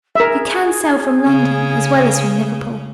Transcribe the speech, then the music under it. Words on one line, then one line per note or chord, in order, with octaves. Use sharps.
You can sail from London as well as from Liverpool?'
G#4 A#4 E5
C#3